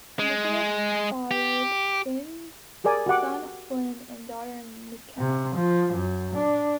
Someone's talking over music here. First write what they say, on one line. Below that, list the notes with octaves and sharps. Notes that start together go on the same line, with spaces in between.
Nicholls fathered twins, son Flynn and daughter McKenna.
G#3
G4
G4 G#4 A#4 D5 G#5
F#4 G4 F#5 D6
C3
F3
F#2
D4